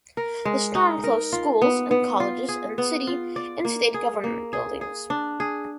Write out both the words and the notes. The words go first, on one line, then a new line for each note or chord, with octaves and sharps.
The storm closed schools and colleges and city and state government buildings.
A#4
G#3
D#4
A#4
F4
B3
B3
F4
G#4
B3
F4
D5
A#3
G#4
A#3
G#4
G#4
D4
G#4